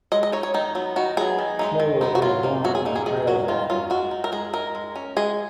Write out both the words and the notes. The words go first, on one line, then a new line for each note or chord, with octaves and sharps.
Schmoller was born in Heilbronn.
G#3 D#5
D#5
D#4 C#5
C#5
D#3 D#4
F#3 B3
D#3 F#4
F#3 B3 G#4
D#3
G#3 B3 D#4
D#3
G#3 B3 D#4
F#4
F#3 F4
A#3 D#4
F#3 F#4
G#4
A#3 D#4
G#4
D#3 G#4
F#3 C#4 F#4
D#3 F4
F#3 C#4 F4
G#3 F#4
D#4
A#4
G#3 G#4
D#4 A#4
G#3
C#4
G#3 G#4